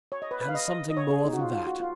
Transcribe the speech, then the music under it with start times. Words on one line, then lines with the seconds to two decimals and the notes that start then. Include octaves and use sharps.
And something more than that.
0.12 C#5
0.22 D#5
0.31 B4
0.41 B4
0.49 F5
0.55 D#5
0.68 D#5
0.90 D#5
0.97 C#5
1.10 G#4
1.25 D#4
1.33 F#4
1.39 F4
1.53 F4
1.67 F#4
1.80 F4